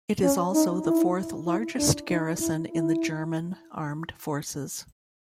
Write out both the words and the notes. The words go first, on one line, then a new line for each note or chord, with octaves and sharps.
It is also the fourth largest garrison in the German Armed Forces.
C#4
D#4
E4
E4
D4
D#4
E4
E4